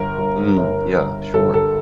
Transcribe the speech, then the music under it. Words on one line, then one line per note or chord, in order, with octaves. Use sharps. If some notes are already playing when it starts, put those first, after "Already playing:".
Mm, yeah, sure.
Already playing: G1 A#4
G1
G1
G1
G1 A4
A4